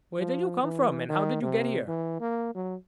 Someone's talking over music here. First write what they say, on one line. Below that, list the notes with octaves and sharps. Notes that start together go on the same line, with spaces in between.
"Where did you come from and how did you get here?"
F3
E3
D#3
C3
E3
A#3
F#3